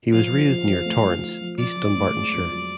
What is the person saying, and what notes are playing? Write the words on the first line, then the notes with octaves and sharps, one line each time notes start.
He was raised near Torrance, East Dunbartonshire.
F3 F5
F3
F3
F3
A3
F3
F4
F3
F3 D5
F3
A2
G#3
F2
F#3